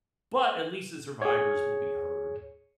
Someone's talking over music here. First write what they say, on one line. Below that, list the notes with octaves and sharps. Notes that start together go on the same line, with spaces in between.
but at least the survivors will be heard.
G#4 C#5